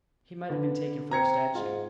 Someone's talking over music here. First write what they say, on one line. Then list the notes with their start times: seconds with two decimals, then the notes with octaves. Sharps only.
He might have been taken for a statue.
0.50 D3 B4
1.11 C4 A#5 G#6 C#7
1.55 G#2 F4